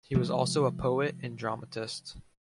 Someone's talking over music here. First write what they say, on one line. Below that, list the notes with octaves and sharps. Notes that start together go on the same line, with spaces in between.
He was also a poet and dramatist.
C3 F3 G#3 A3